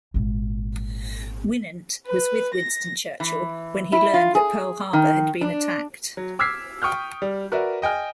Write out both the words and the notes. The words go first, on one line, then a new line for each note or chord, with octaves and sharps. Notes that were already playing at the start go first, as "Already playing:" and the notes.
Winant was with Winston Churchill when he learned that Pearl Harbor had been attacked.
G#1 A#2
B4
A#6
E3
E4
F4
G#4
D#3
D4
F#3
D6 E6 F6 G#6 B6 C7
G5 C#6 D#6 F6 G6
G3
F#4 A#4 B4 D5 E5
D#5 G5 G#5 F6